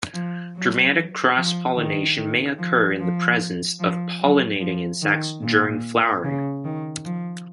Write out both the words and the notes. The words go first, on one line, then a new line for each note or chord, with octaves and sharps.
Dramatic cross-pollination may occur in the presence of pollinating insects during flowering.
F3
F#3
F3
D#3
D#3
F3
F3
F3
F#3
F3
D#3
A#2
C#3
D#3
F3